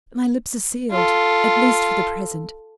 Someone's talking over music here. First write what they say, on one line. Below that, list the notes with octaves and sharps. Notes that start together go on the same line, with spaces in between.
But my lips are sealed--at least for the present.
F4 A4